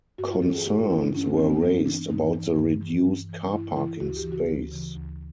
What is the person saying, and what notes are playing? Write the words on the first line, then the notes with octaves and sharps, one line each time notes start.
Concerns were raised about the reduced car parking space.
G2 F#4
F4
E3 A4
G#4
G2 G4
F4
E3 E4
D4
G2 C#4
C4
E3 C4
B3
G2 C4
E3 D4
G2 D#4
E3
G2
E3
G2
E3
G2 E4
E3 E4
D2 F#4
G4
E3
C#3 F#4
D2
C#3 E3
D2